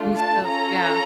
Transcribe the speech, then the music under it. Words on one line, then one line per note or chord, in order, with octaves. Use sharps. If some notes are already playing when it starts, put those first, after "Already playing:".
You still Yeah.
Already playing: A3 D4 F4
A5
C#4 F4 A4 A#5